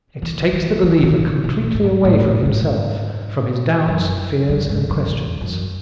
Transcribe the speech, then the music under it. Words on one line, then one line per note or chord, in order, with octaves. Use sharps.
It takes the believer completely away from himself, from his doubts, fears, and questions.
E3
D#3
E3
D#3
B2
G#2
A2
F#2
G#2
F#2
F#2
G#2
F#2
E2
F#2